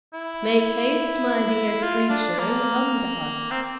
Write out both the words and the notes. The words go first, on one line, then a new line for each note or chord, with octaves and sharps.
Make haste, my dear creature, and come to us.
E4
F4
D4
A#3
C4